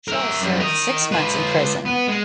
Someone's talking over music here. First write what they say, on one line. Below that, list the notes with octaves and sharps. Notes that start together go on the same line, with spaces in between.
Scholl served six months in prison.
A#4 E5
F#2 G3
A#4 D#5
F4 B4
B3
G#3